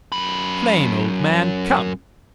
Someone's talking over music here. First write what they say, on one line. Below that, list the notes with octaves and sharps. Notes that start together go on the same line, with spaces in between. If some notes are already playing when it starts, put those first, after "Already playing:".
"Flame, old man! come!"
F#2 B5